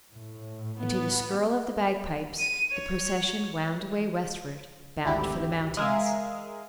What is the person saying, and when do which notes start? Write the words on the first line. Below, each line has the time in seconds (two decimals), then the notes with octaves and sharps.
And to the skirl of the bagpipes the procession wound away westward bound for the mountains.
0.11 A2
0.78 B3
2.39 D#7
2.72 C#5
5.05 G#1 D2 E4 G4
5.77 G#3 G#4 A#4 E5 F5